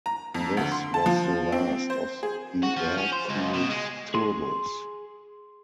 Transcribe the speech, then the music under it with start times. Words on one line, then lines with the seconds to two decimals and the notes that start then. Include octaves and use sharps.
This was the last of the air-cooled Turbos.
0.06 A#5
0.34 F2
0.57 D2
0.72 C6
0.94 A5
1.06 F3
1.52 C4
1.90 C5
2.23 G#4
2.63 F#4
2.77 F3
2.98 C#4
3.13 C5
3.29 C#2
3.54 B2
3.70 G#3
4.14 G#4 C6